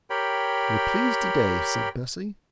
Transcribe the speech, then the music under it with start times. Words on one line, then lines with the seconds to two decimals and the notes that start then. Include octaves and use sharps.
'You're pleased to-day,' said Bessie.
0.10 G4 A#4 C#5 G5 B5